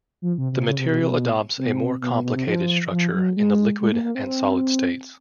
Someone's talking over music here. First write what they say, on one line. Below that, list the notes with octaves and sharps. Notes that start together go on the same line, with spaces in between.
The material adopts a more complicated structure in the liquid and solid states.
F3
C3
C3
C#3
C3
B2
C3
B2
C3
B2
C3
B2
B2
B2
C3
F3
F3
F#3
G#3
G#3
A#3
A#3
C4
C4